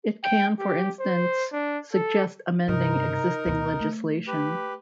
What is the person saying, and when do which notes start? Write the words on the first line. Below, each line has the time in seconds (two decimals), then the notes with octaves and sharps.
It can for instance suggest amending existing legislation.
0.24 G5
0.59 G4
1.00 C5
1.52 D4
1.93 A4
2.68 G2 C3 D#4 A#4
3.45 D2 B2
3.80 A3
4.27 G4 B4